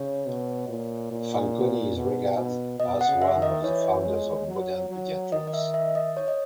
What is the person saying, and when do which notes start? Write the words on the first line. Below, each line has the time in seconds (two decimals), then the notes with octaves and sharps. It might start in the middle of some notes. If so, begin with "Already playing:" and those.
Fanconi is regarded as one of the founders of modern pediatrics.
Already playing: C#3 C#5
0.27 B2
0.69 A#2
1.11 A#2
1.96 B2
2.38 B2
2.80 B2 D#5
3.01 F#5
3.08 C#3
3.22 E5
3.36 D#3
3.42 D#5
3.63 E3 C#5
4.06 G#3
4.47 F#3
4.89 F#3
5.32 D#3 D#5
5.47 D#5
5.54 E5
5.74 E5
5.95 D#5
6.17 C#5
6.28 D#5